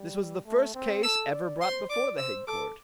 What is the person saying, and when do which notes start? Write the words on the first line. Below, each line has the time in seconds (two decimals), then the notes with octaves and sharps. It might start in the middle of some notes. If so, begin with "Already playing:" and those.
This was the first case ever brought before the Hague Court.
Already playing: G3
0.46 A3
0.74 C4
1.03 A4 E6
1.32 D5
1.61 C5 C6
1.90 D5 D6
2.18 C5 E6
2.47 A4 D6